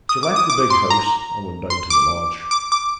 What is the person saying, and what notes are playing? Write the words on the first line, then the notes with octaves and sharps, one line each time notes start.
She left the big house and went down to the lodge.
D#6
D6
D#6
D6
C6
A#5
C6
D6
D6
D6